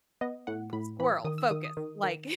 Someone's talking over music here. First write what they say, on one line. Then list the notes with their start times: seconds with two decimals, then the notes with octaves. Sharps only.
squirrel, focus, like
0.21 B3 D#5
0.47 A2 F#5
0.73 A2 B5
1.00 E3 B5
1.24 D#3 D#6
1.38 E6
1.51 D#3 D#6
1.64 D#6
1.77 D#3
2.03 D#3